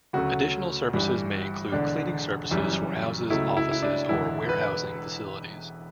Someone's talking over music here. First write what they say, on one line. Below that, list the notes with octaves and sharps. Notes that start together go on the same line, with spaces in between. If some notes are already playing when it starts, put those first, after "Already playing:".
Additional services may include cleaning services for houses, offices or warehousing facilities.
D2 C#3 F#3 A3 F#4
G1 G2 E3 G3
E1 E2 D3 D4
F#1 F#2 E3 G3
C#2 C#3 F#3 A3 E4
E4
E4
D4
E1 E2 D3 E4
B4